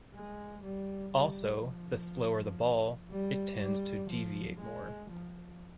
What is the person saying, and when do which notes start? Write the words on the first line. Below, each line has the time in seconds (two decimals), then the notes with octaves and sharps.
Also, the slower the ball, it tends to deviate more.
0.14 G#3
0.63 G3
1.14 G3
1.63 F3
3.11 G3
3.61 G3
4.10 F3
4.61 G#3
5.11 F3